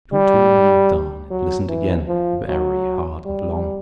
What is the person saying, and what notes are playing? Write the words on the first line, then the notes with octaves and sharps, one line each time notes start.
Too-Too leaned down and listened again very hard and long.
G3
F#3
E3
F3
F#3
G3